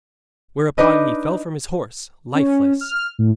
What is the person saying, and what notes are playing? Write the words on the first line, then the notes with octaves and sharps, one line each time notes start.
Whereupon he fell from his horse lifeless.
D4 D#4 B4 D#5
C#4
F6
A2